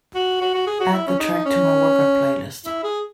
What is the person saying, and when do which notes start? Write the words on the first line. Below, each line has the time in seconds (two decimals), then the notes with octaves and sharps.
Add the track to my workout playlist.
0.15 F#4
0.41 F#4
0.54 F#4
0.67 G#4
0.80 F#4
0.93 E4
1.07 C#4
1.19 D#4
1.45 C#4
2.66 E4
2.83 G#4